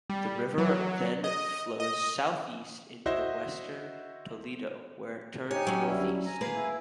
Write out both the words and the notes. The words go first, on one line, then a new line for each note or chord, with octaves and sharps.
The river then flows southeast into western Toledo, where it turns northeast.
G3
F#3
D#5
D#5
E4 F#4 C5 D#5 E5
D#4 G4 C#5 G#5
F#3 C#4
D2 G3 E4
G#5 A#5
A#3 G#4 B4
E4